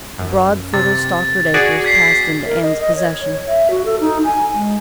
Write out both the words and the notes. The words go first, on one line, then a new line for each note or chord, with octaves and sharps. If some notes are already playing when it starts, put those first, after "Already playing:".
The broad, fertile Stockard acres passed into Anne's possession.
F#2
C3 A6
F#4 G#4 D5
G#6 B6 C7
A#4
D#5
D#5
C#5
E5
F#4
A4
D#4
G#5
G#3